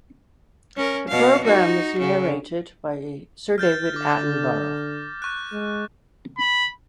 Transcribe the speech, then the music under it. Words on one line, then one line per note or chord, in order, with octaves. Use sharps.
The programme is narrated by Sir David Attenborough.
C#4 A#4
B2 F5
D#4 F#4
C#3
F6 G6 A6
D3 D6 A#6
C#6 F#6
G#3
B5